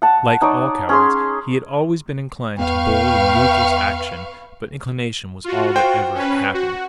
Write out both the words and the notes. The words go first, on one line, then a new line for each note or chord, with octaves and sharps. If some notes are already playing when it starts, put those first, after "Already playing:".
Like all cowards, he had always been inclined to bold and ruthless action; but inclination was all that ever had happened.
F#5 A5
D#4 C#5 D5
C#4 G#4 C6
E2 B3 B4 F5 G5 C#6
F4 F#4
C5 G5
C#4 B4
F#4